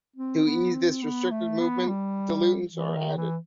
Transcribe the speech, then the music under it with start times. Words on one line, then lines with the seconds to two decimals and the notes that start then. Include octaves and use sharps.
To ease this restricted movement, diluents are added.
0.16 C4
0.46 B3
0.74 C4
1.02 B3
1.31 A3
1.60 B3
1.88 G3
2.74 E3
2.95 D#3
3.17 E3